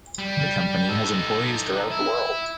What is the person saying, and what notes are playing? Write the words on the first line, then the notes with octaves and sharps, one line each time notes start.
The company has employees throughout the world.
G3
D#4 A4
E4